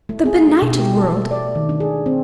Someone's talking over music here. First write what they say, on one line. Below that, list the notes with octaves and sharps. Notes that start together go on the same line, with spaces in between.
The benighted world!
A3
G#4
A3
B2
G4
A4
A3
D5
D#3
D4
G#4
C4